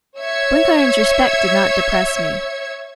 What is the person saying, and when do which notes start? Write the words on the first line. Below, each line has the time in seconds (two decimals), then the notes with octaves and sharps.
Blenkiron's respect did not depress me.
0.18 C#5 E5 E6 G#6 C#7